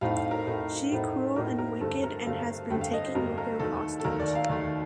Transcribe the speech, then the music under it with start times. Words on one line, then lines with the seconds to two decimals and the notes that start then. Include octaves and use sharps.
She cruel and wicked and has been taking Rahil hostage.
0.01 A2 A3 C4 D#4 F5
0.16 F5
0.31 A#4
0.47 A2 A3 C4 D#4
0.92 A2 A3 C4 D#4
1.36 A2 A3 C4 D#4 A#4
1.58 A#4
1.81 G2 D3 A3 C4 A4
2.03 A#4
2.26 G2 D3 A3 C4 F5
2.70 G2 D3 A3 C4 G5
2.81 F5
2.93 D#5
3.04 C5
3.15 G2 D3 A3 C4 A#4
3.38 A#4
3.60 D#2 D#3 A3 A4
4.00 A4
4.05 D#2 D#3 A3 A#4
4.20 D5
4.35 F5
4.50 D#2 D#3 A3